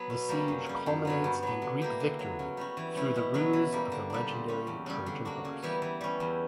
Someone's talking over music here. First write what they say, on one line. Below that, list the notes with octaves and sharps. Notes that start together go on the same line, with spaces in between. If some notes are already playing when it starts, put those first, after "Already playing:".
The siege culminates in Greek victory through the ruse of the legendary Trojan Horse.
Already playing: F#3 B3
B2
G3 A#3 C#4
F#2
C#3 G3
F#2
C#3 F#3 B3
G2
F#3 B3
D3
A#3 E4 G4
D3
F#3 B3
C#3
G3 C#4 F#4
E3
G3 C#4 E4
B2
F#3 B3 F#4
E3
G3 A#3
D3
G3 A#3 D4
A#2
G3 C#4
E2
C#3 G3
D3
A#3 D4 F#4
C#3
E3 G3 B3
E3
G3 C#4
E2